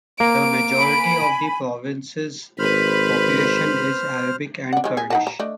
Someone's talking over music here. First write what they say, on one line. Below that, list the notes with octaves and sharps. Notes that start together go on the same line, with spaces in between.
The majority of the province's population is Arabic and Kurdish.
A#3 D7
G#5 B5
G#1 B4 C5 B5 F6
D4 F#5
D#3 G#3
G#4
D#4 F#5 A5
A#5
A3 D4 D#5